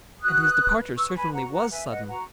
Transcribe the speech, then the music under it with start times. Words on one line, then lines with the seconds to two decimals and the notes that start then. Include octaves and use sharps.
And his departure certainly was sudden.
0.21 F#4 D#6 F#6
0.40 B4
0.59 B4
0.77 B4
0.96 B4 C#6 E6
1.09 C#6
1.14 B4 G#5 B5
1.33 F#4 F#5 A#5
1.52 B4 F#5 A#5
1.70 B4 E5 G#5
1.89 B4 D#5 F#5
2.08 F#4 F#5 A#5